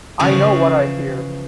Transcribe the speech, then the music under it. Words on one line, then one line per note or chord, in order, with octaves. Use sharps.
I know what I hear.
C#3 E3 F3 A4